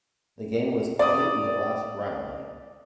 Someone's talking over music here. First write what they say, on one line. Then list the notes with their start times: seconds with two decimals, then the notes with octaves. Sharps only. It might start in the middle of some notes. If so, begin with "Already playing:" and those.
The game was played in the last round.
0.99 D5 D#6